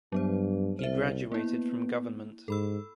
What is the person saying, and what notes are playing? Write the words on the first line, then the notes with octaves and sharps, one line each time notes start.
He graduated from Govt.
G2 F#3 B3 C5
C2 C5 E5
A#3 B3 E4
G#2 A4 B5 E6